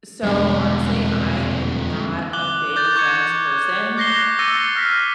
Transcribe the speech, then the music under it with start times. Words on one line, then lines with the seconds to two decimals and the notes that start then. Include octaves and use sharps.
So honestly, I am not a big Friends person.
0.23 E1 F2 D3 G3 G#3 B3 D4
2.33 D6 F#6 F#7 G7
2.76 D6 G6 A6
2.96 C#6 F#6 G#6 C#7
3.97 D6 F#6 A#6 C7 G7
4.39 D6 E6 A6 A#6 C#7 D#7
4.76 E6 F6 A#6 B6